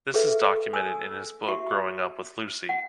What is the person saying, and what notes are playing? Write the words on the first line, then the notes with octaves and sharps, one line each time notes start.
This is documented in his book "Growing up with Lucy".
G#4 A4 B4 E5
G#5 D#6 E6
F#4 G4 E5
F#5